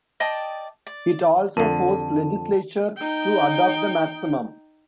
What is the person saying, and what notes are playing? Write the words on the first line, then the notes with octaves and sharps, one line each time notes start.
It also forced legislature to adopt the Maximum.
D5 D#5 G5 A5
D5
F2 D3 A5
D#4 G5